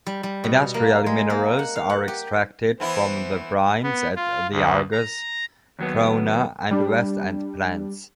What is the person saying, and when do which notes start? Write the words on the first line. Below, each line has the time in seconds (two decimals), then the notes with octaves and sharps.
Industrial minerals are extracted from the brines at the Argus, Trona and Westend plants.
0.06 G3
0.23 G3
0.44 B2
0.74 A#3
1.06 G#3
1.30 A#3
1.59 F#5
1.76 F5
1.90 F#5
2.08 G4
2.80 E3 B3 E4 C5
3.83 B3
4.16 F4
4.51 D2
4.92 A#5
5.79 D#2 F#3 B3
6.71 G3 D4